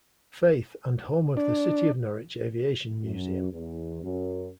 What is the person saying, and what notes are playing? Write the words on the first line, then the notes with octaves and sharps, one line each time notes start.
Faith and home of the City of Norwich Aviation Museum.
D4
F#2
E2
F#2